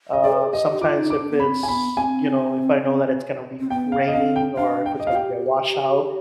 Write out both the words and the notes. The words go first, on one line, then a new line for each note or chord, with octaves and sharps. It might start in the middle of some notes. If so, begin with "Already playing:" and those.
Uh, sometimes if it's, you know, if I know that it's gonna be raining or if it's gonna be a washout,
D#5
G#4 D5
B4
G#4
G4 D#5
G4
F4 D6
D#4
D4 D6
B3
C4 B5
G#5
B3 B5
C4 G#5
C4
B3 G5
F5
D#5
C4 F5
G5
D4 F5
G5
D#5
F5
F4
G4 G5